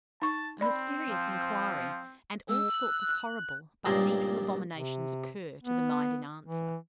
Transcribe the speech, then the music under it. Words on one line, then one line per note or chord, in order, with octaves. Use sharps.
A mysterious inquiry, and all sorts of horrible but needful abominations occur to the mind in answer.
D#4 A5 C#6
C4 D5 B5
F3
G#3 E6
F#6
C#2 G2 A#2 C4 G#4 A#4
C3
B3
E3